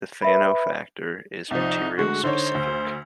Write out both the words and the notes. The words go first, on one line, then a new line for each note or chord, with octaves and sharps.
The Fano factor is material specific.
B4 E5 B5
C2 F3 D#4
D3 G#3 A3 F#4
D3 D#4 C5 C#5
D2